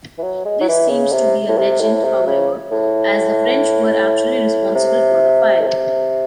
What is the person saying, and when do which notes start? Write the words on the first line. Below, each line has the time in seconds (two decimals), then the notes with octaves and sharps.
This seems to be a legend however, as the French were actually responsible for the fire.
0.18 E3
0.22 F#3
0.45 G#3
0.61 F#3
0.68 E3
0.90 C#3
1.12 C3
1.48 A2
1.58 C3
1.81 A2
2.04 C3
2.27 C#3
2.72 A2
4.75 C3
5.61 A2
5.66 C3